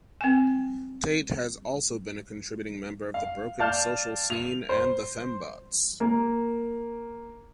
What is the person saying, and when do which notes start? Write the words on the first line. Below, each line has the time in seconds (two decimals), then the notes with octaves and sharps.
Tait has also been a contributing member of Broken Social Scene and The FemBots.
0.21 C4 G#5
3.14 F5
3.59 D5 F5 A5 F6 G6
4.30 F7
4.69 C5
6.00 A#3 A#4